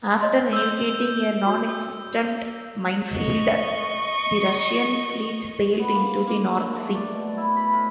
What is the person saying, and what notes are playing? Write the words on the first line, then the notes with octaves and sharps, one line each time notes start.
After navigating a non-existent minefield, the Russian fleet sailed into the North Sea.
C#5 D#5 C6
A4 E6 G6
F#4 C#5
A4 D#6
D#5 C#6
B3
A#3
C6
A#3
D3
A3
D5
B2
E4
B5
A2